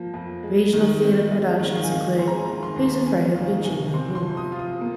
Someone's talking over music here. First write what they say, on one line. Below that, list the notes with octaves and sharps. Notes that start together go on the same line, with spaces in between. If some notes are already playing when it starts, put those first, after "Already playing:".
Regional theatre productions include: Who's Afraid of Virginia Woolf?
Already playing: F3 A#3
F2
G#3
D#3
C4
G#3 D#5
D#3
F5
G#5
C4 F5
G#3 C6
A#5
G#5
D#3 A#5
C6
D#2
A#3 G#5
D#3 F5
C3 G#5
C4 C6
C6
F3
D#6
F4
D#6
A#3